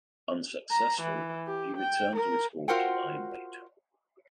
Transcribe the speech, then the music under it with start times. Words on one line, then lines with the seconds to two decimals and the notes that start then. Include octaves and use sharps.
Unsuccessful, he returned to his hoard to lie in wait.
0.71 A#5
1.02 E3
1.47 G4
1.77 G5
2.16 A#4
2.68 F4 F#4 A#4 C5 F#5 G5